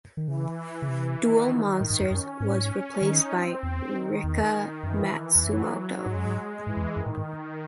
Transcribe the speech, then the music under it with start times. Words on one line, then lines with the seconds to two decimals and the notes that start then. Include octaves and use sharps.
Duel Monsters was replaced by Rika Matsumoto.
0.17 D#3
0.28 C#3 E3
0.58 E3
0.82 C#3
0.88 C3 E3
1.20 D#3
1.81 A2
1.90 G#2
2.00 F#2
2.11 F#2 C#4
2.40 G#2 C#4
2.49 A2
2.58 G#2
3.01 D#3 D#4
3.32 C4
3.63 E2
3.93 D#3
4.24 E2
4.83 F#2 E3
5.35 E2
5.44 F#2 F#3
6.06 G#2 G#3
6.15 F#2
6.25 G#2
6.36 G#3
6.66 G#2 E3
6.77 F#2
6.81 E2
6.96 F#2 D#3
7.06 A2
7.17 G#2